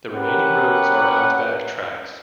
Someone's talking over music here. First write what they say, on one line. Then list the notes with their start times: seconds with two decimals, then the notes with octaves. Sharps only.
The remaining roads are outback tracks.
0.14 C#4 G4 A#4 B4 F#5